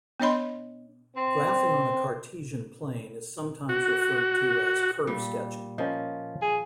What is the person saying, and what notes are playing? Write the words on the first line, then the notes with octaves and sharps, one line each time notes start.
Graphing on a Cartesian plane is sometimes referred to as "curve sketching".
B3 D4 C#5 D#5 B5 C6
C4
F#4
A#2 G3
F3 C#4 A#4 D#5
G#4